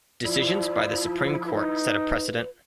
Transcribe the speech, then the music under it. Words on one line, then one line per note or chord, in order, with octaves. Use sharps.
Decisions by the supreme court set a precedent.
F3 E4 D5
D#4 B4